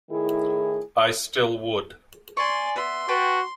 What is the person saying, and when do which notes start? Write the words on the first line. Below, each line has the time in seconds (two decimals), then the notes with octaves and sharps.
I still would.
0.10 A2 D#3 E4 G#4
2.37 D5 G#5 C6 C#6
2.76 B3 E5 C6
3.08 F#4 B4 G5 A5